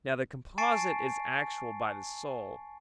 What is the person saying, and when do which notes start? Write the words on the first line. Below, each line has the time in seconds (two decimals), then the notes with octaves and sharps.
Now the composite is actual by the soul.
0.58 G#5 A5 C#6 A6 C7 D7